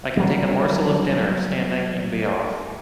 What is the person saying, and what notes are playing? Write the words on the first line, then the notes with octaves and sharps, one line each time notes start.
I can take a morsel of dinner standing and be off.
F#3 G3